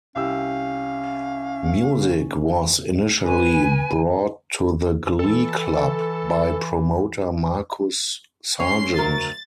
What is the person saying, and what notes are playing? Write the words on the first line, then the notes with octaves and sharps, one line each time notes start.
Music was initially brought to the Glee Club by promoter Markus Sargeant.
C2 C#4 G4 F5 E6
B4 G#5
E3 A4
C#4 C#5 C6 C7
D2 F#3 A#4 A6